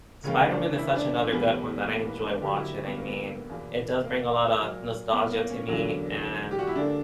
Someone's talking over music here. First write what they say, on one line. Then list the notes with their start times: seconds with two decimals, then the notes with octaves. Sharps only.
Spider-Man is such another good one that I enjoy watching. I mean, it does bring a lotta nostalgia to me, and
0.24 C#2 C#3 E3 A#3 C#4
0.50 D4
0.78 E4
0.96 D4
1.14 C#4
1.32 E2 B2 G3 B3
1.86 A#3
2.05 B3
2.23 D4
2.41 D2 D3 F#3 A#3 G4
2.59 E4
2.77 C#4
2.87 B3
2.97 A#3
3.07 B3
3.49 E2 B2 A#3
4.04 A#3
4.58 A#2 F#3 A#3
5.13 B3
5.31 A#3
5.49 C#4
5.67 E2 D3 F#3 A#3
6.51 G4
6.59 F#4
6.67 E4
6.75 D2 D3 A#3 D4